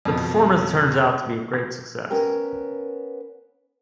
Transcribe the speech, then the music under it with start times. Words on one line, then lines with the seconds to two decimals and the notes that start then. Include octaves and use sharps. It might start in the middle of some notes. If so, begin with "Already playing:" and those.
The performance turns out to be a great success.
0.05 F2 B2
2.10 B3 C#4 A#4 G5